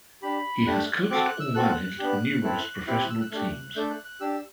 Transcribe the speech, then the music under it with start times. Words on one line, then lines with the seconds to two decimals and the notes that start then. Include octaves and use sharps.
He has coached or managed numerous professional teams.
0.22 D4 G4 B5
0.66 A3 D4 G4 F#6
1.11 C4 F#4 A4 D6
1.26 F#6
1.40 E6
1.55 C4 F#4 A4 F#6
1.70 F#6
1.84 F#6
1.99 B3 D4 G4
2.44 C4 E4 A4
2.87 C4 E4 G4 F#6
2.99 F#6
3.10 E6
3.21 F#6
3.32 A3 D4 G4 F#6
3.76 A3 D4 A4 G6
3.91 F#6
4.05 F#6
4.21 D4 G4 E6